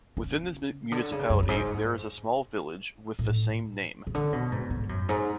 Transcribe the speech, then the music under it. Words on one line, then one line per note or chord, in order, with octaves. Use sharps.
Within this municipality there is a small village, with the same name.
C#3
D3
C#3
F#2
F#2
G#2
A2
C#3
D3
B2
G#2
G#2
F#2
G#2